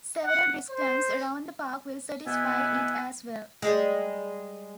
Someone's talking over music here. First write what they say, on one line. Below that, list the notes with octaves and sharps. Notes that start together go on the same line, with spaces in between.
Several brisk turns around the park will satisfy it as well.
F#5
C5
B2 B3 E4 F#5 G#5
G3 G#3